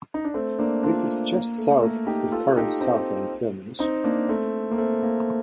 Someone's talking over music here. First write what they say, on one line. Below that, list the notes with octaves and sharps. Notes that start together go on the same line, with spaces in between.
This is just south of the current southern terminus.
D#4
D4
A3 C4
A#3 D4
D4 F4
A#3
A3
A3
A#3
D#4 G4
F4 A4
D#4 G4
C4 D#4
C4 D#4
A#3 D4
A3 C4
A#3
A3 C4
A#3